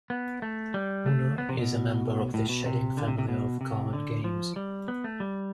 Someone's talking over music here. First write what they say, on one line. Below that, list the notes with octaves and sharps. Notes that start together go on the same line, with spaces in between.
Uno is a member of the shedding family of card games.
B3
A3
G3
A3
B3
C3
B2
A2
B2
C3
D3
C3
C3
B2
C3
D3
F3
G3
B3
A3
G3